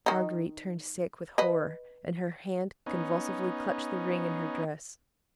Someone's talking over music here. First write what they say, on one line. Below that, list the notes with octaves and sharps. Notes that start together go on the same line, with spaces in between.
Marguerite turned sick with horror, and her hand convulsively clutched the ring in her dress.
D#3 D#4
B4 D#5
B3 C#4 D#4